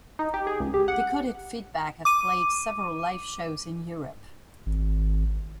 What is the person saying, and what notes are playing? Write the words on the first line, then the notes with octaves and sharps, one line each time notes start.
Decoded Feedback have played several live shows in Europe.
D#4
G4
G#4
C#2
G4
F#5
D6 D#7
G#1